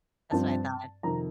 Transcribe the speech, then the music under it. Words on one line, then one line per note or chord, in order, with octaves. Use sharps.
That's what I thought.
G2 F3 C4 A5
F2 C3 D#3 A#5